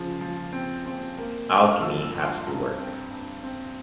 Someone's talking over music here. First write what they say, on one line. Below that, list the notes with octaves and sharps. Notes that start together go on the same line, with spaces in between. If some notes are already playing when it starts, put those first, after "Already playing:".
Alchemy has to work.
Already playing: C#3 F3
F3
C4
C4
A#3
G2
F6
F3 E6
E6
G2
C6
G2 A#5
C4
G2
C4